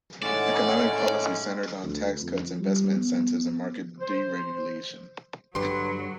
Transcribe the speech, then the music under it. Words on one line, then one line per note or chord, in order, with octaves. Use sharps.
Economic policy centered on tax cuts, investment incentives and market deregulation.
A2 G#3 C#4 D#4 C#5 D5 F#5
D2
F2
G3
B3
C5
G2 D3 F#3 G3 G4 B4 C6